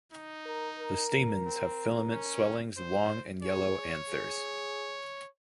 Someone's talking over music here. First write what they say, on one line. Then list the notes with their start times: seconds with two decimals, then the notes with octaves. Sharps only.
The stamens have filament swellings long and yellow anthers.
0.12 D#4
0.45 A#4
0.79 A#4
1.45 C4
2.11 C#4
2.77 C5
3.42 G#4 C#5
4.08 G#4